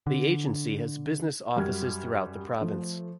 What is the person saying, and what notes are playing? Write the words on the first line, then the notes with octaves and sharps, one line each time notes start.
The agency has business offices throughout the province.
D3
F#2 G3 F#4 F6 G#6
F3 A3